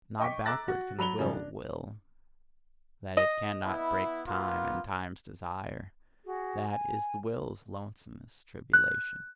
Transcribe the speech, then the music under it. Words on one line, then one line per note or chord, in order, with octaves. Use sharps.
Not backward can the Will will; that it cannot break time and time's desire--that is the Will's lonesomest tribulation.
D#5 G5 C#6 D6 B6
A#5 D6 E6 F#6 A6 A#6
F#4
F#3 B5 F7 G7
F#2 C#3 F3 G3
D4
D#5
B3 E4
A#3 B3 F4
F#4 G#4
G#5
F#6